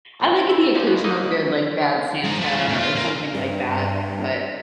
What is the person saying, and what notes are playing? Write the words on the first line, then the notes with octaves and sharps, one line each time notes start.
I like a the occasional good, like, Bad Santa, or something like that, but
A#1 G#2 F#3 F#4 A4
C4 E4 F#4
E5
C4 C#4 D#4 F4 C5 D5
B2 F3 A#3 B3
E3 A#3 D#4 D5 D#5
G#2 D#4
A3 C#4
F3
B2 A3
F4
A#3
G2